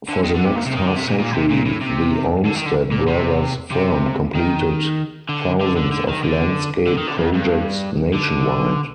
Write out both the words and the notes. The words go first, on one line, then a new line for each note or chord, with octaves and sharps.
For the next half-century, the Olmsted brothers' firm completed thousands of landscape projects nationwide.
D3
D#3
D3
C3
A#2
C3
D#3
D3
C3
A#2
A#2
C3
A#2
A2
C3
D3
D#3
D3
A#2
C3
C3
D#3
D3
D3
D3
D3
D#3
D3
D3
D#3
D3
F2
G2
D3